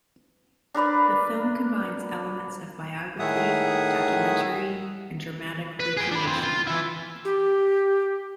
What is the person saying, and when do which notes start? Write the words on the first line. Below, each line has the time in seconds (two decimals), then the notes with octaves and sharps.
The film combines elements of biography, documentary, and dramatic re-creation.
0.74 D4 A#4 B4 D5
3.19 A2 D#3 G#4 E5 F#5 D#6
5.80 B4
5.97 G#4 G5
6.12 D4 B5
6.27 C4 F4
6.43 F4
6.67 E3 E4
7.25 G4